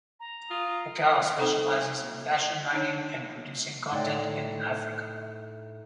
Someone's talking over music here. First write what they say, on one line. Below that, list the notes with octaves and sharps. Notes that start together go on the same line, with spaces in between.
Ekow specializes in fashion writing and producing content in Africa.
A#5
F4 D#6
C4 D#4 A4 C5
D4 D#4 C#5
A2 D#4 C#5 D5 G5